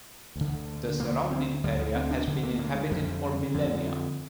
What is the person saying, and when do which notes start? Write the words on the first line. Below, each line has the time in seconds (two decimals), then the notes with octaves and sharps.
The surrounding area has been inhabited for millennia.
0.36 D2 D3
0.99 D2 D3 A#3
1.31 C4
1.64 D2 D3 G3
1.79 F3
1.96 C4
2.11 D4
2.27 D2 D3
2.43 A#3
2.59 A#3
2.75 G#3
2.91 F2 D3 G3
3.54 F2 D3